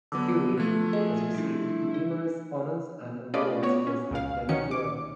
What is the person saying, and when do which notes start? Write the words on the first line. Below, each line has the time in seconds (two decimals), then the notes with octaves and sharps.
Huey has received numerous honors and awards for his academic work.
0.12 D3 F#3 B3 A5 D6 E6
0.57 F3 A3 F#6 G#6
0.93 F#4 G#4 D#5
1.35 G3 D4 E4
1.94 D#4
3.34 A3 C#4 F4 B4 D5 D#5
3.62 B3 F#4 C#5
3.87 C#4
4.11 C#2 F5
4.49 D#3 C#4 F#4 C#7
4.71 D6